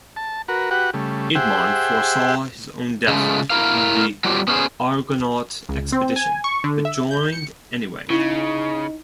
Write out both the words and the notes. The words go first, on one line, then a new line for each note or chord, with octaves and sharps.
Idmon foresaw his own death in the Argonaut expedition, but joined anyway.
A5
F#4 A#4 B4
F#4 G4 B4 F#5
C#3 G3 A3
G4 G#4 C5 E5 F#5 G5
C#3 G#3 A3
E4 A#4 F5
F#3 G3 C4 F4 G4
B3 C#4 D4 E4 G#4 C5
C#2
C4
G#5
C#6
D3
E5
G6
C#7
C#3 D#4 E4